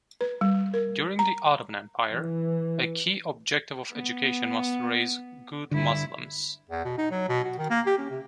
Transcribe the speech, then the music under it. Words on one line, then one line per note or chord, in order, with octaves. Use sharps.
During the Ottoman Empire, a key objective of education was to raise 'good Muslims'.
B4
G3
A#4
A#5
E3
B3
G2 D3 E4
E2
B2
D#4
F#3
B2
F#4
D#3
A#3
G4
C#4
C3